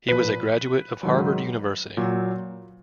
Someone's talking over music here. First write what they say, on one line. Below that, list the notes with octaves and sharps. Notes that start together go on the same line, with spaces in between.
He was a graduate of Harvard University.
A#2 F3 B4
G#2 D#3 F#3
A#2 F#3